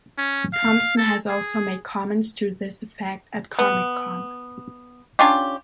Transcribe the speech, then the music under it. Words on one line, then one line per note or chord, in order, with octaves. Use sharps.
Thompson has also made comments to this effect at Comic-Con.
C#4
F5
A4
G#4
B3
C#4 D4 F4 G4